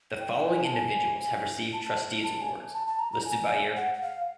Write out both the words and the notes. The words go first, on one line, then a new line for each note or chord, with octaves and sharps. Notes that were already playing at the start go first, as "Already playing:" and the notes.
The following individuals have received Trustees Awards, listed by year.
G5
G5
G#5
G#5
A5
G#5
A5
A5
G#5
A5
A5
A#5
A#5
G#5
F#5
F#5
F5